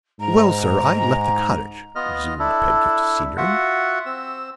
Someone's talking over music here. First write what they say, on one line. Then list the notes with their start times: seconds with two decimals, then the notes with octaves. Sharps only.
"Well, sir, I left the cottage," resumed Pedgift Senior.
0.20 G#2 A#5
1.95 B3 F4 D#5 F6
2.39 D4 E4 A4
3.38 F4 F#4 E5 F#5
4.06 C4 E6